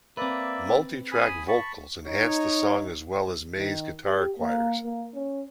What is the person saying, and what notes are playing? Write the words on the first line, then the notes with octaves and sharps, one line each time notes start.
Multi-tracked vocals enhanced the song as well as May's guitar choirs.
A#3 C4 B4 D5 E5
G#5 B5 D#6
A5 B5 C#6
D#4 C#5
D#3
G4
A#3
A#3
C#4